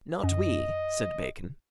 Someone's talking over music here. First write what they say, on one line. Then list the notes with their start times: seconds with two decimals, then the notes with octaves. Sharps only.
"Not we," said Bacon.
0.24 F#2 D#5